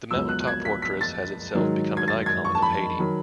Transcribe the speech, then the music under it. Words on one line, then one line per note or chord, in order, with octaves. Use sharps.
The mountaintop fortress has itself become an icon of Haiti.
C#2 B2 F#3 E6
F#6
F#6
G#6
B6
B6
A6
G#2 D#3 F#3
G#6
A6
G#6
C#6
A5
B5
D#3 F#3